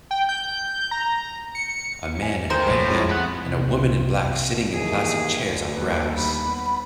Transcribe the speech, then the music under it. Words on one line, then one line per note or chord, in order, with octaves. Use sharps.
A man in a red hat and a woman in black sitting in plastic chairs on grass.
G5
G6
A#5
C#7
G#5
A#4 C5 G5
F1 A#1 A2
F2 F3 G#3 C4 E4 G#4
B4 F#5
C2
D#2 E3 G#4
D2
D#2 G3 B4
B5
B3